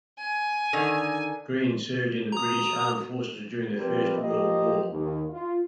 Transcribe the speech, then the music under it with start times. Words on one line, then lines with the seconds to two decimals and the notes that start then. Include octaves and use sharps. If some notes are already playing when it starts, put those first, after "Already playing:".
Green served in the British Armed Forces during the First World War.
0.18 G#5
0.73 D3 D#3
2.32 F#4 A#5 D#6
3.76 F3 G3 C4 A#4 B4
4.17 F3 A#3 G4 D#5
4.90 D#2
5.30 F4